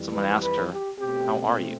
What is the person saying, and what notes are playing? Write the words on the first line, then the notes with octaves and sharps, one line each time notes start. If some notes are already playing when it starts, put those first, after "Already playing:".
Someone asked her: How are you?
Already playing: F2 E3 G3
B4
B4
G4
B2 A3 C4 G4